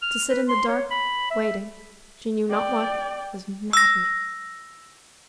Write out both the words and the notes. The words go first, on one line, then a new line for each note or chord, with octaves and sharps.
To sit in the dark, waiting, she knew not what, was maddening.
F6
B4
C6
C#5
B5
E5
D5 G5
E6 A#6